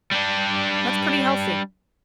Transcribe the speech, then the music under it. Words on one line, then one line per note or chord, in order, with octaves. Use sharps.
that's pretty healthy.
G3 D4